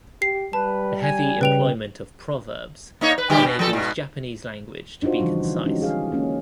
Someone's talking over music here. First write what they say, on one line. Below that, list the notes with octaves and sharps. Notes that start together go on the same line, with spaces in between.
The heavy employment of proverbs enables Japanese language to be concise.
G4 C7
G3 B4 A5
G#5
C#3 B4 G5 F7
A#3 D#4 C#5
B4
D3 G3 G4
B2
F3 A4
G#2 B2
D4 D#4 F4 F#4 C5
C#3 E3 F3 G3 D#4
D#3
G#3 C#4 D#4 F#4 G4
G#4 F5
A#3 C#4